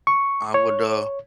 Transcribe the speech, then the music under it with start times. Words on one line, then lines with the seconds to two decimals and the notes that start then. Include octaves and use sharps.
I would, uh,
0.07 C#6
0.54 C#5